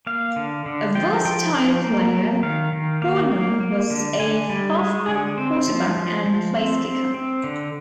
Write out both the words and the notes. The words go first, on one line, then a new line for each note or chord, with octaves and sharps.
A versatile player, Hornung was a halfback, quarterback, and placekicker.
A#3 F5
D3
D3
F3 G5
F3 G5
F3
A#3
A#3
D#3 F5
D#3
A#3 F5
A#3
A#3
D3
D3 G#5
G3
G#3
D3
C4
F3
F3
F3
C4
C4
C4
D3